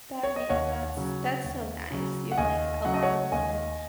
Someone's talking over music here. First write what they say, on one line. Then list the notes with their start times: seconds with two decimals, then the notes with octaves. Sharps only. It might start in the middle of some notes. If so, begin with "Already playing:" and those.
That me uh, that's that's so nice, you're, like a lot of women
0.23 C#5
0.36 D#5
0.50 D#2 C#5 F#5
0.97 C#3 F#3
1.44 D#2
1.91 C#3 F#3
2.32 F#5
2.38 D#2 D#5 G#5
2.85 C#3 F#3 F#5
2.94 D#5
3.02 C#5 F#5
3.32 D#2 D#5 G#5